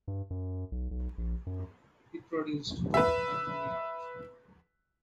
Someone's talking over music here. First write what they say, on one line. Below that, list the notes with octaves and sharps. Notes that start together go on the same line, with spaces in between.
He produced "Dude, I'm Moving Out".
G2
F#2
B1
B1
A#1
F#2
B4 E5